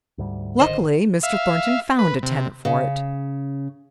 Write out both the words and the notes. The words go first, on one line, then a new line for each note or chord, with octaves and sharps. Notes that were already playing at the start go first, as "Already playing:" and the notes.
Luckily, Mr. Thornton found a tenant for it.
D2 G#2 G3
A1 D3 D#3 C5 D#5
E5 F5
B4
C3
C#3